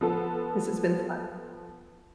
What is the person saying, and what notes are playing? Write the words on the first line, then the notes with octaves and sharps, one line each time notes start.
This has been fun.
F3 B3 A4